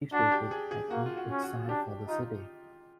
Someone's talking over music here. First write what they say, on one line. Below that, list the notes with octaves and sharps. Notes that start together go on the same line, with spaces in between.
He stated; I think it's sad for the city.
D4 F#4
G4
G#4
G#4
A#3 F#4
F4
F#4
C#4
F#4
D4 G4
D#4 F4